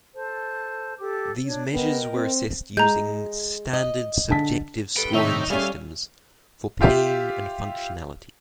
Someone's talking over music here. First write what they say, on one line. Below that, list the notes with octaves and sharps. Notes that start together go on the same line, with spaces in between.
These measures were assessed using standard subjective scoring systems for pain and functionality.
A4 C5 A5
G4 A4 D6
D4 C#5
B3 A#4 D#5 G5
C4
G#3 A#5 G6
D#5
D3 A5 B6
G2 D3 A4 B4 G5
A2 C3 D#3 D#4 C#5 E5
G3 A3 C#4 G#4 F5
F4 G4 E5 F5